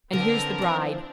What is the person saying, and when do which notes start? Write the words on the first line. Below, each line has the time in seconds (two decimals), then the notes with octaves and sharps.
And here's the Bride!
0.13 D3 B3 C4 D4 A#4 A5
0.62 E3 F3